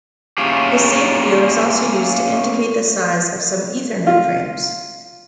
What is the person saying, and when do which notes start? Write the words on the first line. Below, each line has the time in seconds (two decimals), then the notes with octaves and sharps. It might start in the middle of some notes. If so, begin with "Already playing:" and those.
The same field is also used to indicate the size of some Ethernet frames.
0.38 A#3 C#4 E4 F4 G4 G#4
4.07 F4